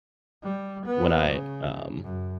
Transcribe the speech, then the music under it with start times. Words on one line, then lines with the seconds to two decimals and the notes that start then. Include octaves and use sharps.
when I um
0.43 G3
0.86 B3
1.29 C#3
2.04 F#2